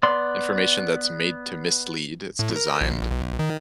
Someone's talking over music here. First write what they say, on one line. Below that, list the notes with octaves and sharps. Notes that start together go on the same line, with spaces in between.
information that's made to mislead, it's designed
B3 D5 C6
A2
A#4
A#1
B1
D#3